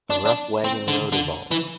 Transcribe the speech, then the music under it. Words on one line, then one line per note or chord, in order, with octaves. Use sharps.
A rough wagon road evolved.
D4
D4
C4
D3
D3
E3